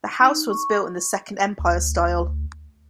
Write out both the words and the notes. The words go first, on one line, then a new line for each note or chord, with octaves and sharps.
The house was built in the Second Empire style.
D#4
C#6
D2